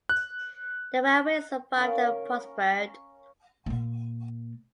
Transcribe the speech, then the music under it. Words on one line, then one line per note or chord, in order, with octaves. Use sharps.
The railway survived and prospered.
F#6
C#4 A#4 C#5 F5
A#2 A#3